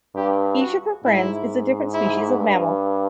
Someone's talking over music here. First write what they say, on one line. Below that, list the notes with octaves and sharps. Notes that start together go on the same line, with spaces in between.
Each of her friends is a different species of mammal.
G2 G4
F#4
G#2 E4
E4
G2